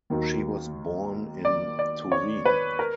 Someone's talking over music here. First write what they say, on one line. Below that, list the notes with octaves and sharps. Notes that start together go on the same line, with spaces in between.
She was born in Turin.
D#2 D#3 F#3
D5
D5
C#5
B4
A#4